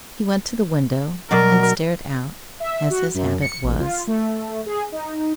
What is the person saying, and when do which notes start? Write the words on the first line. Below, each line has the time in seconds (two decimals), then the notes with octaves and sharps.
He went to the window and stared out as his habit was.
1.31 B2 F#3 A#4 D5
2.60 E5
2.90 F#4
3.14 F#2
3.42 C#7
3.63 A1
3.79 F4
4.07 A3
4.66 G#4
4.92 D#4